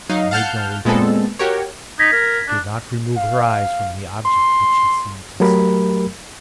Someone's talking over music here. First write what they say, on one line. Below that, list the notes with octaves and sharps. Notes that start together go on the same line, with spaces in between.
She made no reply; she did not remove her eyes from the object which she seemed to see.
F#3 D#4 F5
F5 F#5 A5 F6 G6
A#2 G#3 B3 C4 A4
F#4 G4 A#4 C#5
D#4 G#6 A#6 B6
A#4
D4
F5
C6
F#3 A3 G4 A#4 B5